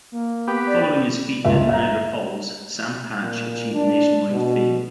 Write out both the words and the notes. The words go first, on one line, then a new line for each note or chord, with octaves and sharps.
Following his feat at Niagara falls, Sam Patch achieved nationwide fame.
A#3
B3 G4
D5
G1 C#2 E5
E5 A#5
A#2
D4
B2